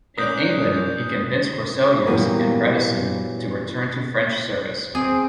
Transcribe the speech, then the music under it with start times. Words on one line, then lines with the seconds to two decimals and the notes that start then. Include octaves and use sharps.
In England he convinced Groseilliers and Radisson to return to French service.
0.18 C#4 A#4 D5 D#6 F#6 G6
2.07 A#2 E3 F#3 G3 A#3 B3
4.95 C4 G#4